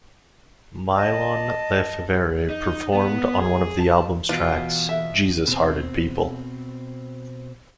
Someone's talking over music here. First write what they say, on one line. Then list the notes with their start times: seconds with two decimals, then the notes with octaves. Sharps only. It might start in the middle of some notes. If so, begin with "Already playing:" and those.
Mylon LeFevre performed on one of the album's tracks, Jesus Hearted People.
0.96 D#5 A5
2.50 D#4
2.93 B3
3.39 G#4
3.80 A5
4.29 B2 E3 F4 B4 G5
4.89 E5
5.48 B2 C4